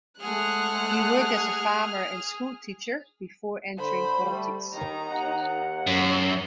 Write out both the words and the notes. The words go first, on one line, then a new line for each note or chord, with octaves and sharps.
He worked as a farmer and school teacher before entering politics.
G#3 A3 G#4 F#5 F6 F#6
D3 C5 B5
G3 A3
D#2 D#3 D#4 A#5
D#2 F#5
F#2 E6